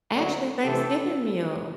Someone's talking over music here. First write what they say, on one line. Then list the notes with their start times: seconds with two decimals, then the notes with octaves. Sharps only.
Actually, Thanksgiving meals,
0.13 D2 D3 F#3
0.64 C3 E3 A3 C4 G4 A4